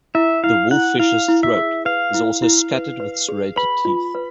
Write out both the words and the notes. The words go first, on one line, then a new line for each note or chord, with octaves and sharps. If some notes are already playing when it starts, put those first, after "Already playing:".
The wolffish's throat is also scattered with serrated teeth.
E4 E5
E4 F5
E4 F#5
E4 F5
E4
E5
G#4
B4 F5
E4
E4
B4
B4
G#4
B4 B5
F4
B4